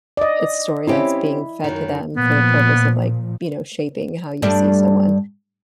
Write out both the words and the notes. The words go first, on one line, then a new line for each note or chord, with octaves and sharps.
a story that's being fed to them for the purpose of, like, you know, shaping how you see someone.
D5 D#5
C4 C#4 E4 G4
F#2 D#3
A#2 F3 B3
G2 A3 D4